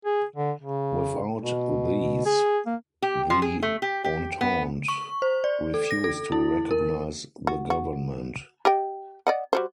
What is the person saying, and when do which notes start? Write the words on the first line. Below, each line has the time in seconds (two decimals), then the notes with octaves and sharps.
Without these, the Entente refused to recognise the government.
0.05 G#4
0.36 D3
0.61 C#3
1.41 B2
2.26 G#4
2.66 A#3
3.02 G4
3.30 F3
3.42 G#4
3.63 A3
3.82 G4
4.04 G4
4.41 B3
4.88 C#6
5.22 C5
5.44 D5
5.74 A4
5.91 A#6
6.04 A4
6.32 E4
6.71 A#4
7.47 F#4
7.70 F#4
8.65 G4 D#5 G5
9.27 D5 D#5 F#5
9.53 G3 F#4 C5